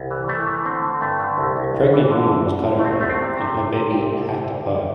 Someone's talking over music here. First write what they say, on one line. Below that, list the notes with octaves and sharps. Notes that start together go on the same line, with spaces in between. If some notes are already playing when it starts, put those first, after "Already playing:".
A pregnant women was cut open, and her baby hacked apart.
Already playing: C2
E3
E3 A3
E3
D3 C4
D3
G2 A3
D3
C2
C2
C2
E3
D3
D2
D3
D3
A3
C2 C4
A3
C2
C4
C3
C3
A4
C2 G4
C3
C2 G4
C2
A4
D2 G4
D2
D3